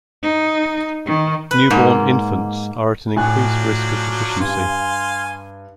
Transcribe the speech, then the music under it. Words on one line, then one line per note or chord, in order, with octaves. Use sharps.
Newborn infants are at an increased risk of deficiency.
D#4
D#3
B4
G#2 A#3
A2 F3 F#3 D4 G#5 F#6
G2 F5 G#5 C6